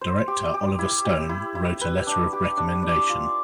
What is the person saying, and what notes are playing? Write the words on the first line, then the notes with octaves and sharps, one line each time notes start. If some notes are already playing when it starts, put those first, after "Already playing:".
Director Oliver Stone wrote a letter of recommendation.
C5
G4
G4
E4
G4
E4
E4
B4
D4
G4
D4
D5
F4